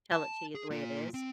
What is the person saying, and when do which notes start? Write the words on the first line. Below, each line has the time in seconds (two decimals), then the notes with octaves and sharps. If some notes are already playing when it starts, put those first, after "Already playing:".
tell it to you the way it is.
0.12 A5
0.55 G#4
0.71 A#3 F4
1.14 C4